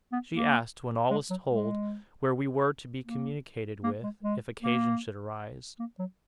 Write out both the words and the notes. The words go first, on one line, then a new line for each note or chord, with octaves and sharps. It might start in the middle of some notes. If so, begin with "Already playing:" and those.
She asked, when all was told, where we were to be communicated with, if occasion should arise.
B3
A#3
G#3
F#3
G#3
A#3
A#3
G#3
G#3
A#3
A#3
F#3